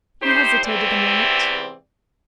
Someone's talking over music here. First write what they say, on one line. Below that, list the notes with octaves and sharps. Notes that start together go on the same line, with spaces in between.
He hesitated a moment.
G3 A3 D#4 G4 C5
E2 G#2 C3 E3 C4 D5